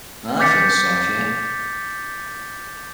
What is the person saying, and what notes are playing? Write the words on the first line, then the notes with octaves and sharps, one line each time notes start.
I feel sorry for you.
D6 G6 A6 B6 C#7